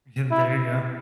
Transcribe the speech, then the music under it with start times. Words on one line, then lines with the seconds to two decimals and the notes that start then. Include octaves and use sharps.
Yeah, there you go.
0.31 E4